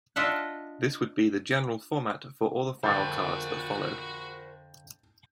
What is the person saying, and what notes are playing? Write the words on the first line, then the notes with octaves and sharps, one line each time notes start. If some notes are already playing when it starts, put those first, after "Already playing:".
This would be the general format for all the file cards that followed.
D4 F4 D#5 E5 F#5
F2 D3 F#4 A#4 C5 G6 A6